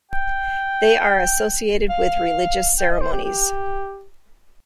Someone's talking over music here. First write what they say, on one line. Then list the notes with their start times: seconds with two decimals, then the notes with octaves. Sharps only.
They are associated with religious ceremonies.
0.11 G5
1.90 F5
2.79 G5
2.90 D#5
3.01 C5
3.12 G4
3.24 G4